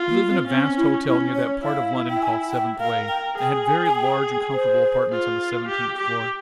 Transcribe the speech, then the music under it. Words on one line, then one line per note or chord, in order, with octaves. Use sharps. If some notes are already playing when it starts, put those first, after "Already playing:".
He lived in a vast hotel near that part of London called Seventh Way, and had very large and comfortable apartments on the seventeenth floor.
Already playing: F4
A#3
C4
C4 C#4
E4
C#4 E4
C#5
E4 F5
G5
G#5
G5
A#4 F5
G5
G#4 G5
G#5
G#5
G5
C5
F4
G4
G4